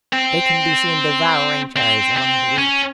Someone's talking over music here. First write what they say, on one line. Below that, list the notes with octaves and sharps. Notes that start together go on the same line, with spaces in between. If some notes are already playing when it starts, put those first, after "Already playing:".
They can be seen devouring cherries among the wheat.
C4
C4
C4
C#4